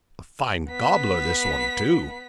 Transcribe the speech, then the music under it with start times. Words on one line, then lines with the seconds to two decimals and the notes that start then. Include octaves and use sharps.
"A fine gobbler this one, too!"
0.69 B3 B6